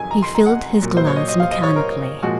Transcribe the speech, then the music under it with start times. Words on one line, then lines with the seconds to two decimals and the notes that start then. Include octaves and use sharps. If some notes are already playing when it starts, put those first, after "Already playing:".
He filled his glass mechanically.
Already playing: F2 D#3 F#3 G#5
0.11 A#5
0.22 C6
0.35 A#5
0.46 F#5
0.82 A#2 F#3
0.97 C5
1.07 C#5
1.16 D#5
1.28 D#5
1.40 F5
1.51 D#5
1.63 C#5
1.76 A#4
2.23 A#2 F3 G#3 F#4